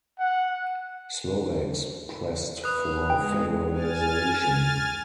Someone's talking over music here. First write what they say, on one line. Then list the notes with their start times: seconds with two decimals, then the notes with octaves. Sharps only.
Slovaks pressed for federalization.
0.19 F#5
2.64 B4 D#6 F#6
3.10 G#3 G5
3.73 G#5 F6 A6